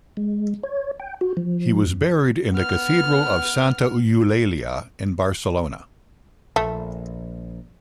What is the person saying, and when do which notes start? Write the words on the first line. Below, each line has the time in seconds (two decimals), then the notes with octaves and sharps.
He was buried in the Cathedral of Santa Eulalia in Barcelona.
0.17 G#3
0.63 C#5
1.00 G5
1.21 F#4
1.37 F3
1.86 F#2
2.53 B3 F6
6.56 A#1 A3